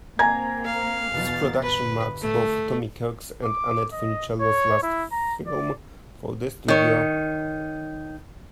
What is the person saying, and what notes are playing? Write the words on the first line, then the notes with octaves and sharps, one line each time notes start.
This production marks both Tommy Kirk's and Annette Funicello's last film for the studio.
A#3 C4 G#5 A#5 G#6
F5
E2 B2 A6
G1 B4
A3
D6
D#5
C#5
E4
A#5
D5
D#3 C#5